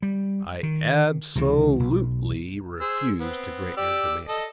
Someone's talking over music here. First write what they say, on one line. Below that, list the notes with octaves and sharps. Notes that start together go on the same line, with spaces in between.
I ab-so-lute-ly refuse to grant your demand.
G3
D#3
C#2 C3 E3
B1
G#4 C5 E6
B3 C4
G4 D5 E6
A4 D#5